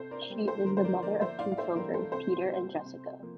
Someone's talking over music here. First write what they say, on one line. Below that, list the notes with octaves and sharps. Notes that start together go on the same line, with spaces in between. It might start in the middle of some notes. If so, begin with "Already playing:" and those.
She is the mother of two children, Peter and Jessica.
Already playing: C3 A4 C5
A#4 D5
G3 A#3
A4 C5
D3 A#4
C5
A#4 D5
F3 A#3 A#4 D5
C5 E5
A2 D5 F5
F5
C5 E5
E3 G3 A#4
A4 C5
C3 A4 C5
G3 A#3
C3
F3 A#3